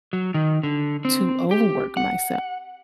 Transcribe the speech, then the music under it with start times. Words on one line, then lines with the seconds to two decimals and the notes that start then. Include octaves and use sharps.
to overwork myself,
0.13 F#3
0.34 D#3
0.63 D3
1.05 C4
1.51 G4
1.97 F#5